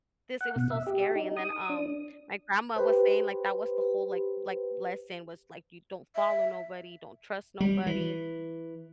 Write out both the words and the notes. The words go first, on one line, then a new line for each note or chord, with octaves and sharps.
this it was so scary, and then, um, my grandma was saying, like, that was the whole, like like, lesson, was, like, you don't follow nobody, don't trust nobody,
F#5
B2
E5
G4
D#4
D#6
D4
G4 B4 C5
E5
G3
E3